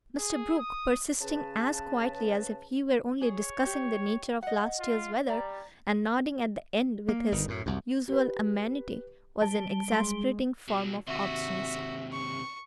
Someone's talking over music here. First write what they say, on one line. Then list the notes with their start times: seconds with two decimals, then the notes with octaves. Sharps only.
Mr. Brooke, persisting as quietly as if he were only discussing the nature of last year's weather, and nodding at the end with his usual amenity, was an exasperating form of obstinacy.
0.18 G#4
0.58 D#6
1.21 C#3 B4 A5
3.21 G#4 C#5
3.66 G4
4.43 D#5 F#5
4.79 F4
5.29 G3 D5 A#5
7.09 A#3
7.32 G1 D#3
7.48 F#2 A2
7.66 C2 F#2
8.08 G4 B4
9.42 G3 A5
9.91 G#3 C6
10.68 B2 F#3
11.07 D#2 C3 F#4 E5
12.12 C#6